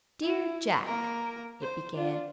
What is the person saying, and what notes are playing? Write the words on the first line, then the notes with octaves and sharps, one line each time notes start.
"Dear Jack," it began.
E4
A#3 A#4
C5
D4 F4